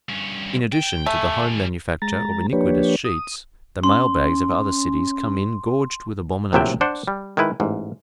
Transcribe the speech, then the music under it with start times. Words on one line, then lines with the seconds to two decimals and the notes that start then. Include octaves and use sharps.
In addition to the home manufacture of iniquitous sheets, the mail-bags of other cities come in gorged with abominations.
0.09 G2 C#4
0.72 G5
1.06 G3 A3 G#5
2.02 G#3 A#5 A6
2.53 F3 A#3 D4 G4 B4 C#5
3.05 D#6
3.84 C#4 C6
6.53 A#1 A2 C3 F#3 E5 G5
6.81 D4 C5 F#5
7.08 G3
7.37 D#3 G#3 E4 B4
7.60 A1 G#2